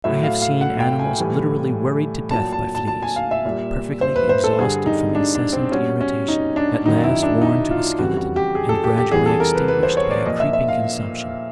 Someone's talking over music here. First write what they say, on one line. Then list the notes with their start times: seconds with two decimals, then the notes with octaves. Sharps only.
I have seen animals literally worried to death by fleas, perfectly exhausted from incessant irritation, at last worn to a skeleton, and gradually extinguished by a creeping consumption.
0.04 A2 F#3 E5
0.23 F5
0.42 F5
0.61 F#5
0.80 G5
0.99 G#5
1.18 A2 E3 G3
2.31 A#2 F#3 A5
2.53 A5
2.75 A5
2.87 A5
3.02 G#5
3.16 F5
3.31 E5
3.45 A#2 G3
4.01 C5
4.16 B4
4.29 C5
4.44 A4
4.58 G2 D3 G3 G#4
4.86 D#4
5.15 D4
5.34 D4
5.53 C4
5.72 B2 G3 C#4
6.01 C#4
6.28 D#4
6.56 D4
6.86 F#2 D#3 F#3 D#4
7.03 E4
7.22 D4
7.42 D#4
7.71 F4
7.99 F2 C#3 E3 G3 F#4
8.17 F#4
8.36 G4
8.55 G#4
8.69 A4
8.84 G4
8.98 G4
9.11 E2 C3 E3 G3 G#4
9.26 A4
9.40 A#4
9.55 B4
9.68 B4
9.83 C5
9.97 C#5
10.11 D5
10.26 A#2 F3 D#5
10.40 E5
10.53 E5
10.68 F5